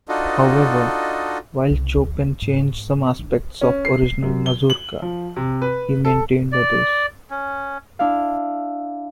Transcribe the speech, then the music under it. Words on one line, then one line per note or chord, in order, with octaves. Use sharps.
However, while Chopin changed some aspects of the original mazurka, he maintained others.
D4 D#4 F4 F#4 A4 D#5
C2 C#3
D2
G#2
D4 D#4
C#4
C7
F#2
G7
F#7
F3
C3
B4
A4
D5
C#4
D4 E4 F5